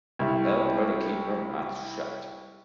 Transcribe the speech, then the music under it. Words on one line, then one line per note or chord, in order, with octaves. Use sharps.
Help her to keep her mouth shut.
C2 E4